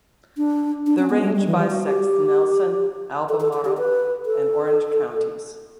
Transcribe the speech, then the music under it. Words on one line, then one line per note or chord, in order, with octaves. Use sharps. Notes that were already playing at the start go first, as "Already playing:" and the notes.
The range bisects Nelson, Albemarle, and Orange counties.
D4
D4
C#4
B3
G3
G3
E3
G3
F#4
G4
A4
A4
A4
G4
B4
A4